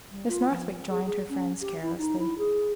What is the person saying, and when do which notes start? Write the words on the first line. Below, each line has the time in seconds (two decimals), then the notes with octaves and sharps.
Miss Northwick joined her friends carelessly.
0.11 G3
0.28 F4
0.50 F3
0.89 G#4
1.05 G#4
1.28 C#4
1.60 G4
1.82 E4
1.98 D#4
2.18 E4
2.38 G#4